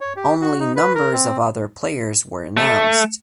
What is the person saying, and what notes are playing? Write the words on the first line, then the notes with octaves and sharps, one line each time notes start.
Only numbers of other players were announced.
C#5
G4
F#4
D#4
B4
A#4
C4
A3